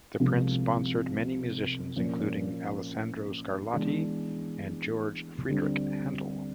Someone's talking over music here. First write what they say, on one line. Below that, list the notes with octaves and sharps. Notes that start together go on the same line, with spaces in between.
The prince sponsored many musicians including Alessandro Scarlatti and George Frideric Handel.
C2 C3 F3 G#3
A#2 F3 A#3 C#4
E3 G#3 B3 D4
D2 D3 G3 C4